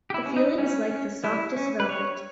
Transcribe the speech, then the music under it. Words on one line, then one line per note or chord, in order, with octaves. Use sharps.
The feeling is like the softest velvet.
G4
E4
C#4
D#4
G3 C#4
C#4
G3 E4
C#4
B4
G3 C#5